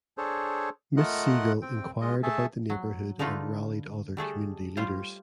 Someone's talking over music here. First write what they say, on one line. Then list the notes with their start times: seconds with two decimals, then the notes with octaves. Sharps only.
Miss Siegel inquired about the neighborhood and rallied other community leaders.
0.18 D4 G#4 A4 C5 C#5
0.97 A3 F4 A#4 D#5 F#5 F#6
1.62 C4 G5
2.01 G#3 F4 D#5
2.23 A3 G#4 A4 E5 G#5 A5
2.70 F#3
3.19 D3 A3 D#4 F4 B4
4.17 G3 A3 G#4 A4
4.77 G3 F4 C5 C#5